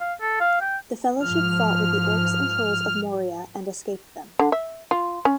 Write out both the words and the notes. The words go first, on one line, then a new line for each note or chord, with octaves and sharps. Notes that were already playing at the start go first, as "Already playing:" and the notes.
The Fellowship fought with the Orcs and Trolls of Moria and escaped them.
F5
A4
F5
G5
G#2 F3 F6
D3
E5
F4
C#4